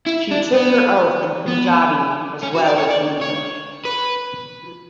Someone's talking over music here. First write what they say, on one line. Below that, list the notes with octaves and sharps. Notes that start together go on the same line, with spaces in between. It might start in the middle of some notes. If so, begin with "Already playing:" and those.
She took her oath in Punjabi as well as English.
E4
D4
B3
B3
C#4
F#4
D5
C#5
D5
C#5
B4